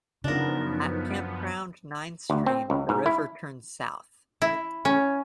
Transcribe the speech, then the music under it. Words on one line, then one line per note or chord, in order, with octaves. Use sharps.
At "Campground Nine Stream" the river turns south.
F#2 C#3 F3 B3 D4 D#4 A#4
D2
C4
C#2
G#2
E4
E4
C#4